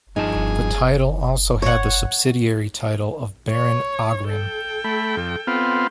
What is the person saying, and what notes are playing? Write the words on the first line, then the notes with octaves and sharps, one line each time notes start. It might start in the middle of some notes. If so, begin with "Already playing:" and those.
The title also had the subsidiary title of Baron Aghrim.
G2 F3 D#4 G#4 A5
C#5 F#5
C#5
A4 G5
A3 B5
F2
B3 C4 F4